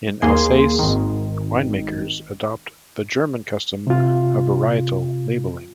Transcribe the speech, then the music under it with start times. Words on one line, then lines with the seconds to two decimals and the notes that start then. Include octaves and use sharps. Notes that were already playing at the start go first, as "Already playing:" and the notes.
In Alsace, winemakers adopt the German custom of varietal labeling.
0.22 D#2 A#3 G#4 C6
0.79 G#1 D#3
3.87 C3 F4